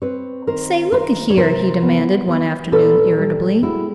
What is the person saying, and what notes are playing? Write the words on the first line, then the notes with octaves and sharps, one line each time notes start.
"Say, look a-here," he demanded one afternoon, irritably.
C4 B4 C#5
D#3 A#4 C5
D#3 A#4 C5
C#5
C3 A#4 C5
B3
B3
A#2 A4 B4
G3
G#3 E4 F#4